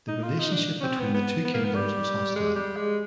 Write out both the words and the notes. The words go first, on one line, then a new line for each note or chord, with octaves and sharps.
The relationship between the two kingdoms was hostile.
D#4
F4
D#4
D4
C#4
C4
B3
B3
B3
A#3
B3
G3
G#3
G3
G#3